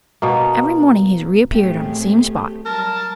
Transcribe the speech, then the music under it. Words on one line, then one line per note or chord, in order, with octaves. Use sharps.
Every morning he has reappeared on the same spot.
B2 A#3
A2 A3 C4 G4 G#4
F#3 G3 A#4 A5